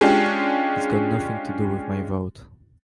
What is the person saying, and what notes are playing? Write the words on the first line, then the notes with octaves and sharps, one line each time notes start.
It's got nothing to do with my vote.
G#3 C#4 D4 F4 G4